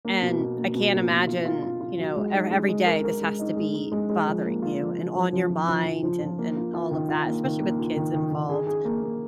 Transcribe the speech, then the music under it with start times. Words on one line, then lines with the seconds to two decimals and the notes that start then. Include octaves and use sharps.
and I can't imagine, you know, ever every day this has to be bothering you, and on your mind, and and all of that especially with kids involved,
0.05 A#3
0.22 B2
0.40 B2
0.57 A#3
0.75 B2
0.93 A#3
1.10 A#3
1.27 F4
1.45 F4
1.62 F4
1.81 F4
1.98 F#3
2.16 G#3
2.33 D#4
2.51 G#3
2.69 G#3
2.86 A#4
3.04 A#4
3.21 G#3
3.39 D#4
3.56 G#3
3.74 G#3
3.92 G#3
4.09 G#3
4.27 F3
4.45 A#3
4.62 F4
4.80 F3
4.98 F3
5.15 F3
5.33 F3
5.50 F3
5.68 F3
5.86 F3
6.03 F3
6.20 F3
6.38 A#3
6.56 F4
6.74 F4
6.91 D#3
7.09 F4
7.26 A#3
7.44 D#3
7.61 A#3
7.79 F4
7.96 D#3
8.14 D#3
8.32 D#3
8.50 G#4
8.67 G#4
8.85 A#3
9.02 A#3